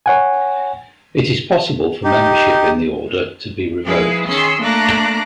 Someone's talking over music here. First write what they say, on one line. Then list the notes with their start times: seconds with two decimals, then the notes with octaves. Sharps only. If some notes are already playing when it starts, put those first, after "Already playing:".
It is possible for membership in the Order to be revoked.
0.06 C#5 F#5 G#5
2.04 D#4 G4
3.85 F3 G#3 E4 G#4 B4
4.27 D#3 C#4 G#4 C6 E6
4.61 A3 A#3 D4 A#5 D6 F#6